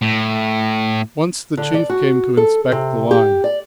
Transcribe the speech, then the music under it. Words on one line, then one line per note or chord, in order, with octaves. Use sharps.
Once the Chief came to inspect the line.
A2
D3
D5
F#4
A4
C3
G4
D5